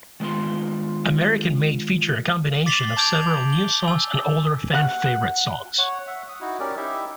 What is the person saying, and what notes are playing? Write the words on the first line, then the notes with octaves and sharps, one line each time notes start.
American Made featured a combination of several new songs and older fan-favorite songs.
D#3 G#3 B3 F4 C6
D6 A6 B6 C7 F#7 G7
A5 D6 G6 G#6 D7 F7
G7
G#5 E6
F#5 F#6
C#5 F#5
E5 F#5
D#6
D#4 E4 F#4
C#4 G4 A#4 D5
D#4 E4 G4 E5